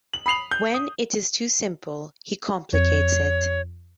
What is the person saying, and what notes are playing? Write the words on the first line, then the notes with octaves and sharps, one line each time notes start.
When it is too simple, he complicates it.
F#7
B5 D#6 C7 F7 F#7
G6
D#6
F2 C#5